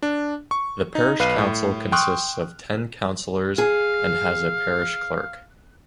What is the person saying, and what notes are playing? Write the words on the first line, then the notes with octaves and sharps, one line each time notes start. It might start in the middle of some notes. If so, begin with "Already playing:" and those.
The parish council consists of ten councillors and has a parish clerk.
D4
C#6
D#4
B1 B4 F5 F#6 C7 D#7
A2
G5 C6 C#6 D#6 F6 F#6
G#4 F5